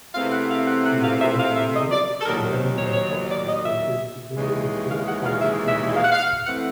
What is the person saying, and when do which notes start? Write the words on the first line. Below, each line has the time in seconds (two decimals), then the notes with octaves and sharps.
In the following year, Bohemian forces refused to take the field for the emperor.
0.15 E2 C3 E3 A3 C4 F5
0.32 F#5
0.50 F5
0.67 F#5
0.85 F#5
1.02 F5
1.20 E5
1.38 F5
1.55 E5
1.73 D#5
1.90 D5
2.20 A4
2.26 D#2 D#3 F#3 A#4
2.52 C5
2.78 C#5
2.86 C5
2.93 C#5
3.31 D5
3.48 D#5
3.66 E5
4.36 D#2 C#3 E3 G#3
4.89 F5
5.07 F#5
5.24 F5
5.41 E5
5.68 E5
5.95 F5
6.03 F#5
6.12 F5
6.46 E3 A3 C4 F#5